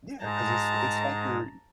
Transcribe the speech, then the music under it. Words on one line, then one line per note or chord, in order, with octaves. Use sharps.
Yeah, 'cause it's li it's like you're
G#2 G#3 A5 A#5